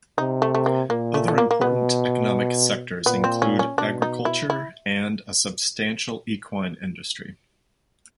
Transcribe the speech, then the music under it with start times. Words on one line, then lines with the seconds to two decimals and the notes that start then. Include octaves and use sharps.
Other important economic sectors include agriculture and a substantial equine industry.
0.18 C3 D#4
0.42 A3
0.55 A3
0.66 A#3
0.90 A#2 A#3
1.14 A3
1.28 A3
1.38 A#3
1.51 A#3
1.61 B2 B3
3.05 A#2 B3
3.24 C4
3.42 C#4
3.59 C#4
3.78 B2 D4
4.02 D#4
4.25 E4
4.50 E4